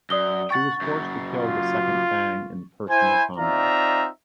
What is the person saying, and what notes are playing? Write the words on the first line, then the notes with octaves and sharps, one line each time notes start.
She was forced to kill the second Fang in personal combat.
F#2 D5 D#6 G7
F#5 G5 C#6 A6
F#2 C#3
F4
E4 C5 G#5
C4 D#4 F4 D5 E5 A#5